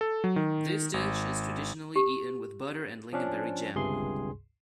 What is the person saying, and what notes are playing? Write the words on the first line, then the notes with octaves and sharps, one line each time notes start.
This dish is traditionally eaten with butter and lingonberry jam.
A4
F#3
D#3
G#1
G4
F3 C#4 D4
G1 C#2 G2 C3 G#4 C6